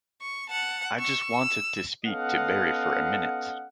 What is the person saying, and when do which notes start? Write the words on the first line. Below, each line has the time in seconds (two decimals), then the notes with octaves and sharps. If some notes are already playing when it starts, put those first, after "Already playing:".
I just wanted to speak to Berry for a minute.
0.21 C#6
0.50 F#5 A5
0.99 C#6 E6
1.33 E6
2.06 B3 C#4 A4 D#5 F5 F#5